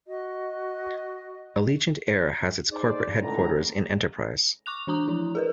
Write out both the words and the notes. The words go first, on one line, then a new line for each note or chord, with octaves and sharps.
Allegiant Air has its corporate headquarters in Enterprise.
F#4 D#5
D#4 G#4 C5 D5
C#2 A2 D3 A#5
C#6 D6 F#6 F7
E3 D4 A#5 D#6
F3 E4
G#4 A#4 B4